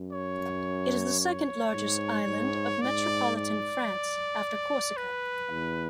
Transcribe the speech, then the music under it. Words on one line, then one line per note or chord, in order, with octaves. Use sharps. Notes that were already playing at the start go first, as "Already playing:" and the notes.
It is the second largest island of Metropolitan France, after Corsica.
Already playing: F#2
C#5
C#5
G#2
G#2
G#2 D5
D5
B4
E2